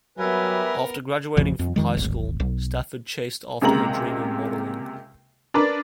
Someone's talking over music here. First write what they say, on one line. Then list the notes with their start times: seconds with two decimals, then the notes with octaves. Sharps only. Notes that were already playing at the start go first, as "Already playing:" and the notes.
After graduating from high school, Stafford chased after her dream of modeling.
0.18 F#3 G3 B3 A#4 B4 E5 G#5
1.37 A1 F2 C#3 F3
1.59 F2
1.76 F2 D#3 G#3
1.97 D1 G#1
2.40 B1
3.61 C#2 C3 G#3 A#3 A#5 F#7
5.54 D4 A#4 B4 D5